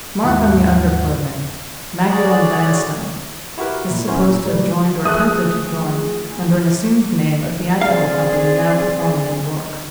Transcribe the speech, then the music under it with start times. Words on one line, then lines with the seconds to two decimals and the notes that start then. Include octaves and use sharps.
Mark on the under-clothing--'Magdalen Vanstone.' Is supposed to have joined, or attempted to join, under an assumed name, a theatrical company now performing at York.
0.24 D#2 G#2 E4 F#4 F#5
2.09 D3 F#4 G#4 C#5 D5
3.58 E4 F#4 G4 A#4 B4
3.88 A#2 E4
4.07 C#4 E4 F#4 A#4 C5 C#5
4.26 A#2
4.46 F#3 G3 A3
5.05 F3 A3 G#4 D#6 F#6
7.81 C4 G#4 D5 F5